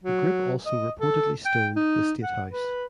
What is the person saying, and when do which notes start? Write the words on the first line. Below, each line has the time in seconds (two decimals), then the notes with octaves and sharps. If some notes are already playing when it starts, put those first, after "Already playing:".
The group also reportedly stoned the State House.
0.04 F#3
0.66 D#5
1.00 A4
1.46 G5
1.76 D#4
2.23 F#5
2.52 B4